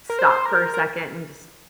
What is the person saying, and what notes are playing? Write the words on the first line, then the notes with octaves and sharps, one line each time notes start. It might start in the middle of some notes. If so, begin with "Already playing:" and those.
stop for a second and just
A#4
C5
A#4
A#4